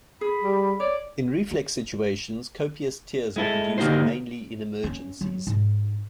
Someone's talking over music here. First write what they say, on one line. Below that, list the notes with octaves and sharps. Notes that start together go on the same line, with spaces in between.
In reflex situations, copious tears are produced mainly in emergencies.
G#4 B5
G3
C#5 D5
G#3 E4 A4
D3 A#3 D#4 F#4 G4 C5
C#4
F#3
G#2